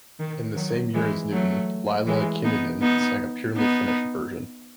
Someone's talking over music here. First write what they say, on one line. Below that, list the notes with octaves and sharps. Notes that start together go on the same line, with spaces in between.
In the same year as Newton, Laila Kinnunen sang a purely Finnish version.
D#3
D#3 F#3
E3 G#3
F#3 A3
E3 G#3
B3 D#4
B3 D#4
B3 D#4